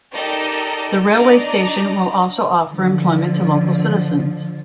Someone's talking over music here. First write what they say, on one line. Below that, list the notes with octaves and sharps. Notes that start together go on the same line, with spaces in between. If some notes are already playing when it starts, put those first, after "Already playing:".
The railway station will also offer employment to local citizens.
D#4 G4 A4 A#4 D5 D#5
D4 D#4 D5 D#5 A#5
D3 F3